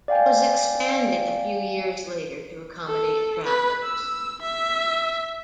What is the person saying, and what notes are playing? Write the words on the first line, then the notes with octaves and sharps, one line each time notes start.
It was expanded a few years later to accommodate travelers.
D5 F5 G5 G#5
A4
B4
E6
E5